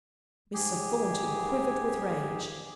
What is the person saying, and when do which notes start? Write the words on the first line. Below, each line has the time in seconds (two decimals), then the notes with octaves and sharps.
Mr. Thornton quivered with rage.
0.54 G#2 G4 G#4